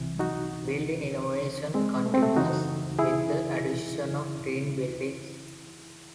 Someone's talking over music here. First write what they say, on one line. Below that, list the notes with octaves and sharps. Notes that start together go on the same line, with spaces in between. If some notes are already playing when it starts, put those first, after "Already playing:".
Building innovation continues with the addition of "green" buildings.
Already playing: C2 C3 E3
D#4 F#4
G#3 C4
A3
C4
A3
F#2 C#3 E3 D#4 F#4
E4 G#4